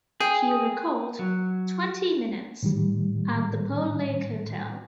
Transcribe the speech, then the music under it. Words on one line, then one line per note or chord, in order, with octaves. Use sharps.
He recalled: Twenty minutes, at the Pearl Lake Hotel.
G#4 G5
F#3
A2 D#3 G3